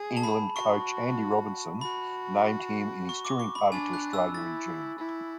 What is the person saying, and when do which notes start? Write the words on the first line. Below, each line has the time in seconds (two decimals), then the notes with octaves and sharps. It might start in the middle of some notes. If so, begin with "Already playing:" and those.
England coach Andy Robinson named him in his touring party to Australia in June.
Already playing: G#4
0.17 A5
0.23 B5
0.55 F#4 C#6
1.81 F#4 B5
3.09 C#6
3.25 D6
3.40 C#6
3.55 B5
3.72 D4 G#5
3.93 F#6
4.13 E6
4.34 E4 A6
4.98 E4